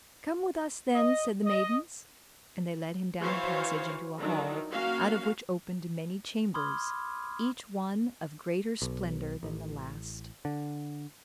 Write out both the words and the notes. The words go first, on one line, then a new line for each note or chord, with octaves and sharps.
'Come with us, then,' said the maidens, and they led him down a passage into a hall, out of which opened many chambers, each one of greater splendour than the last.
D#5
D#5
E3 F#4 C5 C#5 F5
D#3 E3 F#3 D4
A#3 C#4 F#4 F5
B5 C6 D6 D#6 F6 G#6
B1
A1
D3